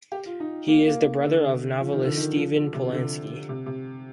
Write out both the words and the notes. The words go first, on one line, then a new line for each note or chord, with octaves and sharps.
He is the brother of novelist Steven Polansky.
G4
F4
D#4
A#3
A#3
D3
F3
D#3
D3
D#3
F3
D3
C3
D3
C3
C3